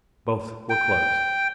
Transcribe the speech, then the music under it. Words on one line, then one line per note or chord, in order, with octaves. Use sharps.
Both were closed.
G5